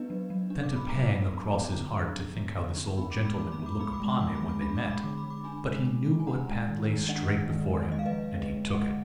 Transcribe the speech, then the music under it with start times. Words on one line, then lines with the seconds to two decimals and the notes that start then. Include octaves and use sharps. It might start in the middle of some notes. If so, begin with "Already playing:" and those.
It sent a pang across his heart to think how this old gentleman would look upon him when they met; but he knew what path lay straight before him, and he took it.
Already playing: B3 D4 B4 D#5
0.10 F#3
0.30 F#3
0.50 D4
0.63 D6
0.72 B3 B5
0.88 F#3 A#5 D6
1.12 F#3
1.34 B3
1.53 F3
1.74 D3
1.94 D4
2.15 B3
2.35 F3
2.56 D3
2.77 D4
2.98 B3 B5
3.11 D6
3.18 G#3
3.25 B5
3.38 F3 D6
3.52 B5
3.59 F3
3.66 D6
3.79 B3 B5
3.93 D6
4.00 G#3
4.08 B5
4.20 F3 D6
4.35 B5
4.41 F3
4.49 D6
4.62 D4 B5
4.75 D6
4.82 G#3
4.90 B5
5.03 D3 D6
5.17 B5
5.23 D3
5.30 D6
5.44 D4 G#5 B5
5.65 G#3
5.86 D3
6.06 D3
6.20 G#5
6.27 D4 F#5 A#5
6.47 G#3
6.68 D#3
6.89 D#3
7.09 D4 D#5 F#5
7.29 G#3
7.50 D#3
7.70 D#3
7.91 G#3 D#5
7.99 F5
8.06 B4 D#5
8.11 F3
8.32 D3
8.54 D3
8.73 G#3 D#5 F#5